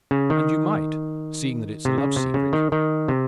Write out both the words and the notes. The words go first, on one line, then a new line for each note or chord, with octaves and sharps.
And you might--seeing that it's a love secret!
C#3
D#3
C3
C#3
C3
C#3
D#3
D#3
C3